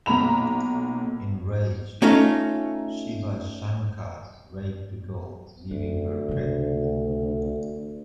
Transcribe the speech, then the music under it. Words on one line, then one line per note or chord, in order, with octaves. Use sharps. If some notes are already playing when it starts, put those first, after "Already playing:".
Enraged, Shivashankar raped the girl, leaving her pregnant.
B1 A#2 A#5 B5 F7
A3 C#4 D#4 F4 F5
D2 C4
C#2 C3